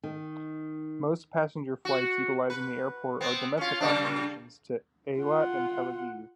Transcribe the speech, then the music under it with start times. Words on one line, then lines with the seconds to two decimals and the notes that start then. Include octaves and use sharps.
Most passenger flights utilizing the airport are domestic operations to Eilat and Tel Aviv.
0.03 D#3
1.85 F#4
2.50 B4
3.21 B3 C4
3.57 C#4 F4
3.81 C#3 G3 D4
5.19 F4 F#5